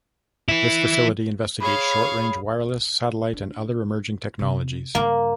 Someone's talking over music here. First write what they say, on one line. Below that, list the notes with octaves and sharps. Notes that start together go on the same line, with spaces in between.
This facility investigates short-range wireless, satellite, and other emerging technologies.
E3 E4
G#4 C#5 F5 B5
D4
C3 D#4
G2 C#3 A#3